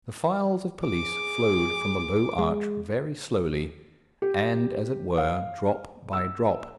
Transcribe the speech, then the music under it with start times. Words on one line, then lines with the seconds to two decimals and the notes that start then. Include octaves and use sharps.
The files of police flowed from the low arch very slowly, and, as it were, drop by drop.
0.87 G#4 D6
2.39 G#3
4.22 G4
5.18 F5
6.13 E6